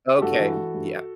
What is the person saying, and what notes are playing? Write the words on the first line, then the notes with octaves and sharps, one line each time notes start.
Okay. Yep.
G4
G2 F#4 A4
E3
E3
G2